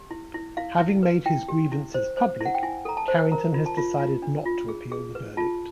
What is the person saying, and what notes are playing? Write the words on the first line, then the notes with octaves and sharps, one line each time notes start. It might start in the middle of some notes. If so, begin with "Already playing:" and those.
Having made his grievances public, Carrington has decided not to appeal the verdict.
Already playing: G4
E4
E4
E4 F5
E4
B4
E4 G5
G4
E4
C5
C5
E4 F#5
G5
E4 G#5
A4 A#5
A5
C5
A#4 A#5
F4
A5
F4
F4
D4
F4
G#4
G#4
B4
F4 A5